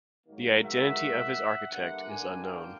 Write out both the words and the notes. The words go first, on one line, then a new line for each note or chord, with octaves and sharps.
The identity of its architect is unknown.
G#2 D#3 F#3 A#3
E5 F#5
G2 D3 G3 A#3 E5 F#5
F#5 G#5
F5 G5